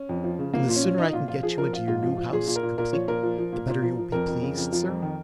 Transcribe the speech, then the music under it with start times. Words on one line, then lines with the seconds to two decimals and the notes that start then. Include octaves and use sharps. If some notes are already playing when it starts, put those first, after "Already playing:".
And the sooner I can get you into your new house, complete, the better you will be pleased, sir?'
Already playing: C#4
0.09 F2
0.24 F3
0.39 C#3
0.54 F3 A#3
0.69 A#2
0.76 C#4
0.84 F3
0.98 F3 D#4
1.13 A#2 F4
1.28 F3 F4
1.43 F3 G#4
1.58 F3 A#4
1.73 F3 F4
1.88 G#2 F4
2.03 F3
2.18 F3
2.32 A#2 G#4
2.47 A#2
2.56 A#4
2.63 A#2
2.78 A#2 A#4
2.93 F3 C#5
3.08 A#2 A#4
3.23 F3
3.38 F3
3.52 A#2
3.68 A#2
3.82 F3
3.97 F3
4.12 F2 A#4
4.28 F2
4.42 C#3
4.57 F2
4.73 F3
4.88 F2
5.02 D#3